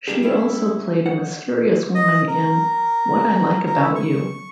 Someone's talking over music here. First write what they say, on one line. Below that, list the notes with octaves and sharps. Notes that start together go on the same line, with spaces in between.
She also played a mysterious woman in "What I Like About You".
G3 A#3 D4 G4 G#4
G3 A3 C#4 E4 G#4 A4
F#5
D#5
A#4
A#4
E4
C#6